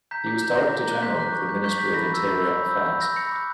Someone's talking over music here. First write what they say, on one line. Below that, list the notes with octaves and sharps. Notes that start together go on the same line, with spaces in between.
He was Director General of the Ministry of Interior Affairs.
A#5 G6 B6
D6 G6
A#5 G6
D6 G6 A#6
A#5
D6 F#6
A#5 G6 B6
D6 F#6
C#6
G6
C#6 G6 B6
G6 B6
B5 A#6
E6 G6
B5
E6 G6
B5
E6 G6
B5 G6
E6 G6 A#6
B5 A#6 C#7
D6 F#6